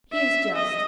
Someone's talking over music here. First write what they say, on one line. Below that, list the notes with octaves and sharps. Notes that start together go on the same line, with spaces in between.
He is just.
E5
D#5